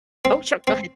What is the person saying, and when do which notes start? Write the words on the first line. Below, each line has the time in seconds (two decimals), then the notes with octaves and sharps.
Oh sure, go ahead.
0.25 C4
0.67 C4